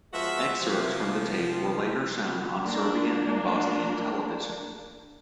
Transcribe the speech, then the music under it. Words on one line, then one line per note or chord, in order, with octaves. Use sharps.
Excerpts from the tape were later shown on Serbian and Bosnian television.
F3 G#3 B3 F#4 E5
C3 F3
A#3 D4